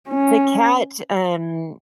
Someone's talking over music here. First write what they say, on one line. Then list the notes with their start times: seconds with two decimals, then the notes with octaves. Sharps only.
the cat, um,
0.09 C#4